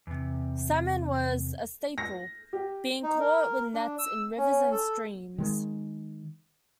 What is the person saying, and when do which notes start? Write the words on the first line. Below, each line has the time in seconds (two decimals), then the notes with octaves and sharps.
Salmon was a staple, being caught with nets in rivers and streams.
0.07 E2 C3
1.98 A#6
2.53 G4
3.03 D#4
3.20 A#4
3.74 D4
3.99 E6
4.38 C#4
4.71 A4
5.38 D#3 G#3